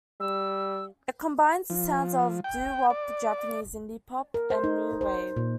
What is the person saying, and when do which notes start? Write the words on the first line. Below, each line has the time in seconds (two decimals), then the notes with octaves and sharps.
It combines the sounds of doo-wop, Japanese indie pop, and new wave.
0.20 G3 E6
1.70 F3
2.44 G5
2.90 D5
4.34 A#4
4.50 C5
4.64 D#4
5.01 C5
5.37 A#2